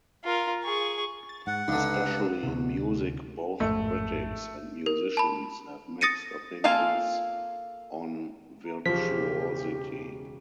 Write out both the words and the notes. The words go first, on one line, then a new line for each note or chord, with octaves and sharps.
Especially in music, both critics and musicians have mixed opinions on virtuosity.
F4 A#4
G#4 C#6
A6
G#2 F#5
C#2 G2 D3 D#4
D2 C3
A1 F2 G#2 A3
A#4
A5 B5
D#6 A6 A#6 C#7 D#7
A#3 F4 A4 F5 G#5
A#5
E1 C#2 F3 G4 B6